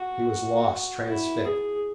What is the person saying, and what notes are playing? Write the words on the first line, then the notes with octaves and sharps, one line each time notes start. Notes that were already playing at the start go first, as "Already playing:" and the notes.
He was lost, transfixed.
Already playing: F#4
E4
G#4